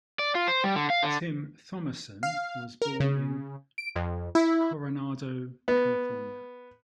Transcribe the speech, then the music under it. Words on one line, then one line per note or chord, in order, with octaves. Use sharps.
Tim Thomerson was born in Coronado, California.
D5
F4
C5
G3
D3
F5
D3
F5
A#4
C#3
D7
F2
E4
B3